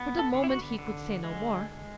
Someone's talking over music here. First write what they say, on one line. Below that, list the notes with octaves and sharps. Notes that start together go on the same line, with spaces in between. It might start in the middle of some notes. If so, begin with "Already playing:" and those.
For the moment he could say no more.
Already playing: B3
A4
D3
E4
F#4
D3
G#3